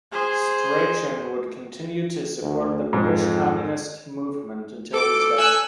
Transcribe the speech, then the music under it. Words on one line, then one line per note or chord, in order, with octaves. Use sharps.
Strachan would continue to support the British communist movement until his death.
G#4 C5
D2
F2 G#2
A4 D6
G#5 E6 F#6